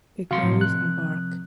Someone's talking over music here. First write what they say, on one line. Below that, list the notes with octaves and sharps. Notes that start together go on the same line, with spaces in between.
It grows on bark.
C3 F3 F#4 F5 C6
A2
F#6